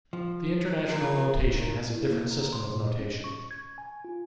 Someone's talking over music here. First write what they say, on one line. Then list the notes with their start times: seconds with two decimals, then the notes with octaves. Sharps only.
The international notation has a different system of notation.
0.13 F3
0.88 A#2
1.53 D#3
1.94 E4
2.11 A#3
2.31 A#5
2.53 C6
2.70 A#2
2.84 D#5
2.99 C#4
3.24 C#6
3.51 G#6
3.78 G#5
4.05 F4